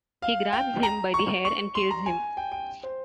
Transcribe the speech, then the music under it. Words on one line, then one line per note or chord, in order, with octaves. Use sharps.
He grabs him by the hair and kills him.
F5
G5
A#5
C#6
C#6
C6
A#5
G#5
G5
G5
C5